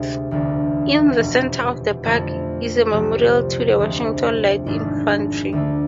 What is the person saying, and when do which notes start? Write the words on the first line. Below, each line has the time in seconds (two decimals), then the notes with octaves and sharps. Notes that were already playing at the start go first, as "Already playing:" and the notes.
In the center of the park is a memorial to the Washington Light Infantry.
Already playing: D2 C3 G#3 C4
0.31 E1 D2 D3
1.18 F1 E2 B2
2.05 F2 D3 A3 E4 A4
2.92 C2 C3 F3
3.79 D2 C3 F3 G#3 C4
4.66 G#1 G#2 G#3 D4 G#4
5.52 D2 D3 A3